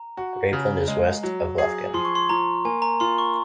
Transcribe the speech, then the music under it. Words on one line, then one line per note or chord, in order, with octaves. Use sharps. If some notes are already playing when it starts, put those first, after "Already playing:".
Grapeland is west of Lufkin.
Already playing: A#5
F#4
C#3
G#3
F#3 A#5
G#4
F3 C6
C#6
C6
F3 A#5
A#3 G#5
A#5
F4 C6
C#6